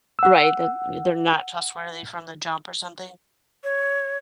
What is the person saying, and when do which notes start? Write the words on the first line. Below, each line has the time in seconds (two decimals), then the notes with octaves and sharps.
Right, that they're not trustworthy from the jump or something.
0.19 F#5 E6
3.64 C#5